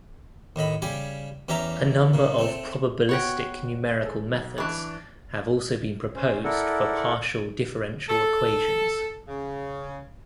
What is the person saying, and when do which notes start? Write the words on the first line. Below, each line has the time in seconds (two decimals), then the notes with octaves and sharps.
A number of probabilistic numerical methods have also been proposed for partial differential equations.
0.56 D#2 A2 D#5 B5
0.82 C#3 G3 G4 G#5
1.49 E2 C#4 G4 E5 A#5 D6
2.14 A#2 C#3
2.39 A3 C4
3.09 B3 F#4 C#5 F#5 G5
4.03 G#4 A4
4.32 B1
4.58 E3 D4 C#6 F#6
6.15 C#4 C5
6.44 E4 A4 A#4 D5 F#5
8.09 A4
9.28 C#3